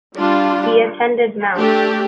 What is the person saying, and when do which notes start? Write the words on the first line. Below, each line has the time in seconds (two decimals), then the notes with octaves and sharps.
He attended Mt.
0.15 G3 D4 F4
1.58 A3 D4 G4